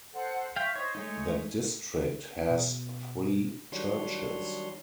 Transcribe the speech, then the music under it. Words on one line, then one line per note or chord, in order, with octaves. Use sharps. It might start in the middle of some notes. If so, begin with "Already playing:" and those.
The district has three churches.
A4 C5 F#5
E5 F5 G5 C6 C#6
D#4 C5 C#5
G#3 A3 D#4 C#5
B2
D#3 F#3 G3 D4 C#5 C6